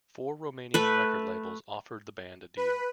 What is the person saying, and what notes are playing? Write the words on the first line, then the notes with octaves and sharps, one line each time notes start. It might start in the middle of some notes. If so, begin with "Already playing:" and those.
Four Romanian record labels offered the band a deal.
A3 B4
B4